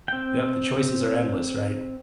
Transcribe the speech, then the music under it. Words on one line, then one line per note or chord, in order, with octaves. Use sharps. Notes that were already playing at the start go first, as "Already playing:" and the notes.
Yep. The choices are endless, right?
C4 G5